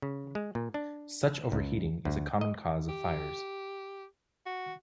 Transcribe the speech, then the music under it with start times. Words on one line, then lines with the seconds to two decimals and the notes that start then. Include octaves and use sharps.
Such overheating is a common cause of fires.
0.02 C#3
0.35 G#3
0.55 A#2
0.74 D4
1.52 C#2
2.05 D2
2.41 D#5
2.89 G4
4.46 F#4